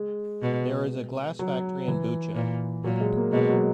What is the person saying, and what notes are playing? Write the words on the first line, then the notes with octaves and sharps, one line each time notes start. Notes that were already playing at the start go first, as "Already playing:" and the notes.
There is a glass factory in Bucha.
Already playing: G#3
B2
F#3
E3
A#2
A#2 F#3
G#3
A#3
B2 G#3
F#3